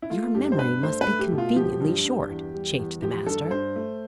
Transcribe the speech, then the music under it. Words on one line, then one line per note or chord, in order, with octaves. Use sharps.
"Your memory must be conveniently short," chafed the master.
E4
A3 F4
G2 G4
C5
G2 B4
A3 C5
B4
A3
G4
B2
F4
F3 G4
G2
G2
E2
G3
E2
F3 G4
G2 A4
G2 C5
A3